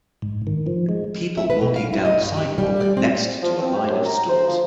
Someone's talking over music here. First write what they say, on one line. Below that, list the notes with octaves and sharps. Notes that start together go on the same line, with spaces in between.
People walking down sidewalk next to a line of stores.
G#2
D#3
F3
G#3
E5
B4
B2
F5
E4
D#5
G2
G4
G3
D5
C4
F3
C4
G4
F#2
A#5
C5
F3